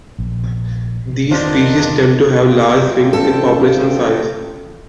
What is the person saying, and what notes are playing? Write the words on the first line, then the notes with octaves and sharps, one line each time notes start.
These species tend to have large swings in population size.
A#1
E2 D4 F4 A#4 C5 D5 D#5 A5
D2 F4 G5
C#4 A4